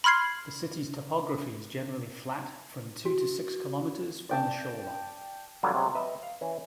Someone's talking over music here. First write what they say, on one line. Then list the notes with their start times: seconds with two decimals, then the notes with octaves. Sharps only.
The city's topography is generally flat from two to six kilometers from the shoreline.
0.04 B5 C6 F6 G#6 C7
3.05 F#4
4.29 D5 G5 A5
5.63 D3 F#3 G3 B3 F4
5.74 C3 F#3 G#3 C#4
5.95 B4 D#5 E5
6.23 F5
6.41 E3 C#4 E4